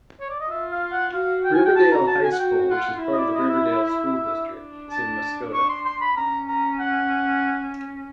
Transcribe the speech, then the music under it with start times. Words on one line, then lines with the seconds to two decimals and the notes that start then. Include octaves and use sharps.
Riverdale High School, which is part of the Riverdale School District, is in Muscoda.
0.20 C#5
0.30 D5
0.40 D#5
0.50 F4 E5
0.72 F5
0.92 F#5
1.12 F#4 F5
1.44 G5
1.55 G#5
1.65 G5
1.76 A5
1.91 A#5
2.07 A5
2.24 G#5
2.32 F#5
2.39 F#4 G5
2.70 F4 F#5
3.02 E4
3.13 D#5
3.17 D5
3.34 D#5
3.49 E5
4.27 D4
4.91 A5
5.54 C#6
5.69 C6
5.85 C6
6.01 B5
6.16 C#4 A#5
6.48 A#5
6.80 F#5